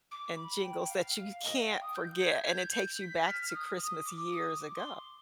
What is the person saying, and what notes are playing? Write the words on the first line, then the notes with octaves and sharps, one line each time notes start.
and jingles that you can't forget, and it takes you back to Christmas years ago,
D6
B5
G5
F5
D#5
F5
G5
D#6
G6
G#6
G6
B6
F6
D#6
D#6
D6
D#6
D6
C6